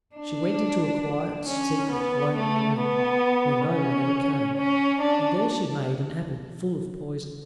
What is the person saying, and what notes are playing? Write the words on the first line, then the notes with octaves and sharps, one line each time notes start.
She went into a quiet, secret, lonely room, where no one ever came, and there she made an apple full of poison.
D4
C#4
B3
A3
B3
C#4
C#4
D4